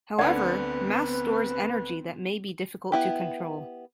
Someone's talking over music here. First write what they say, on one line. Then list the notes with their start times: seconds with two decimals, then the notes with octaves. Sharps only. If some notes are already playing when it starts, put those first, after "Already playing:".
However, mass stores energy that may be difficult to control.
0.18 D2 D3 B3 C4 B4 D5 F#5
2.92 B3 E4 G4